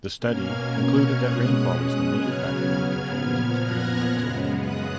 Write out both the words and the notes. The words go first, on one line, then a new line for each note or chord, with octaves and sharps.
The study concluded that rainfall is the main factor that controls its breeding activity.
B2 A#3 C#4 F6 G#6
C#6 F6
B2 G#3 C#4 D#6 F#6
C#3 F#3 B3 F6 G#6
F6 G#6
A#2 F3 B3 F6 G#6
F#6 A#6
F#2 C#3 G#3 B3
D#6 F#6